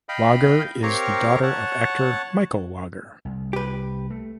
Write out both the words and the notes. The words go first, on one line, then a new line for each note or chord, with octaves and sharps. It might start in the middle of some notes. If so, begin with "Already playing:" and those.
Wager is the daughter of actor Michael Wager.
D#5 F5 G5 B5
C4 G4 A#4 C#5 F5 A#5
C#5 F#5 A5
C2
G4 B4
A3